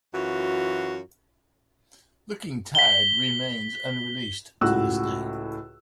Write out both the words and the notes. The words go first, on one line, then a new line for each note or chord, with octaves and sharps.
"Looking Tired" remains unreleased to this day.
F#2 E3 F4 F#4
B6 G7
C#2 A2 F#4 E6 F#6